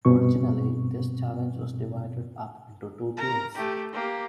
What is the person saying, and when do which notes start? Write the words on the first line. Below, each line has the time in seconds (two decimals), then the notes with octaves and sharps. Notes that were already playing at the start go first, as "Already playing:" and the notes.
Originally this challenge was divided up into two teams.
0.05 G2 B2 C4 C#6
3.17 A#4 A#5
3.55 A3 G4
3.93 A#3 G4